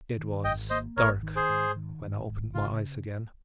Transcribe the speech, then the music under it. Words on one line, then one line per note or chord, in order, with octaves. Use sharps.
It was dark when I opened my eyes again.
D#3
G#1 D#5 G5
A#3 C5 D#5
G#1 A#4 C#5
D#3
G#4 C5
G#2
D#3
G#2
G#1
C#3 F4